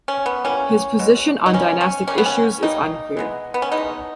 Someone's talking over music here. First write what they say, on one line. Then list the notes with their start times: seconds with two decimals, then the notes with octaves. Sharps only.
His position on dynastic issues is unclear.
0.08 C#4
0.26 B3
0.44 E3 G3 A#3 C#4
0.99 B2 G#3 B3
1.46 D#4
1.53 B2 G#3 B3 C#4
1.81 C#4
2.08 C#3 G3 A#3 C#4
2.18 B3
2.26 C#4
2.62 C#3 G3 A#3 D#4
3.17 E3 G#3 B3
3.54 B3
3.62 C#4
3.71 E3 G#3 B3 D#4